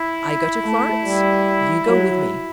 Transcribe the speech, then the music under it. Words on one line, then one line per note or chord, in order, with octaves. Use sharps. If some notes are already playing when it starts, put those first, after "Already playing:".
I go to Florence; you go with me.'
Already playing: E4
A3
G3
F#3